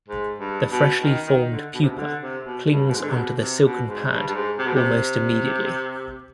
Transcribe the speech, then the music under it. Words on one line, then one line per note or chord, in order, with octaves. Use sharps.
The freshly formed pupa clings onto the silken pad almost immediately.
G#2
G2
B2
D#3
D#3
D3
B2
C3
B2
D3
C3
B2
G2
B2
G#2
D3
C3
B2
C3
B2
G#2
G2
G2
G#2
C3
B2
C3